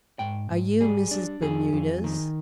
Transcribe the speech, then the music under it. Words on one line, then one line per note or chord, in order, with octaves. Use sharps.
"Are you Mrs. Bermudez?"
G#2 G5
G#2
G3 G#4
D4
F2 G#4
F2
D#3